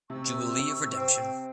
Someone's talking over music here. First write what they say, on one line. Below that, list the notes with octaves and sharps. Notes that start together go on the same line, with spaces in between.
Jubilee of Redemption.
C3 C#6 E6
C4